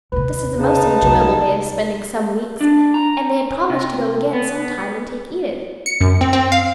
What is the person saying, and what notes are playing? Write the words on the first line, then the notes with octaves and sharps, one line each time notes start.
This is a most enjoyable way of spending some weeks, and they had promised to go again some time and take Edith.
D#2 C3 B4
C#3 D#4 A5
C2 F#3
D4
A#5
C3
B3
C#7
F#2
C4
C4
F5